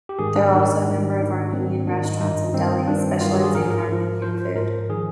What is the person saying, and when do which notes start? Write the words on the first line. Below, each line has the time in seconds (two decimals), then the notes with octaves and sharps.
There are also a number of Armenian restaurants and delis, specializing in Armenian food.
0.09 G4
0.19 G#2 D#3 G#4
0.36 D4
0.52 G#2 D#3 D4
0.85 G#2 D#3
1.20 G#2 D#3
1.53 G#2 D#3 C4
1.86 G#2 D#3 D4
2.03 D#4
2.20 G2 D#3 D#4
2.53 G2 D#3 C4
2.88 G2 D#3 D4
2.98 C4
3.21 G2 D#3 F4
3.33 G4
3.44 G#4
3.55 G#2 F3 A#4
3.63 G#4
3.71 A#4
3.88 G#2 F3
4.22 G#2 F3 C5
4.38 C5
4.56 G#2 F3 A#4
4.89 D#3 G#4